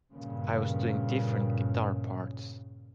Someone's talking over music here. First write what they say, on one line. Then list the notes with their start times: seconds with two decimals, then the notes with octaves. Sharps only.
I was doing different guitar parts.
0.12 G2 A#2 C#3